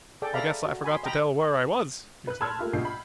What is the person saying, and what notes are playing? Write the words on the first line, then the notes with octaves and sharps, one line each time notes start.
"I guess I forgot to tell where I was," he said.
G#4 A4 D5 G5
A4 D5 E5 F5 A#5 B5
F#4
G#5 B5 C6
D#5 G5 A#5 B5
B4 F#6
A5 B5 C6 E6 F6 G#6
A3 A#3 F4 G4
A#1 B2 F4 G6 C7
B5